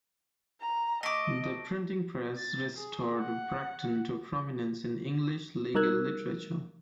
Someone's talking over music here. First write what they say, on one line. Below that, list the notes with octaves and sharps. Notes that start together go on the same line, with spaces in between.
The printing press restored Bracton to prominence in English legal literature.
A#5
A3 D#5 D6 A#6 D7
A6
G#4
F#5
G3 D#4 A#4 E6 F#6 G#6